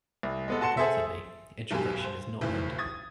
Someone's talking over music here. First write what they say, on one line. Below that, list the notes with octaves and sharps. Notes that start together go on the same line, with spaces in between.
Importantly, the introgression is not random.
C2
G#3 B3 A4
F#4 A5 C6 C#7 E7
G#4 A4 C5 E5
B1 F#2 B2 G4 G#5
C5
F#1 B1 A2 E3
D#6 G#6 A6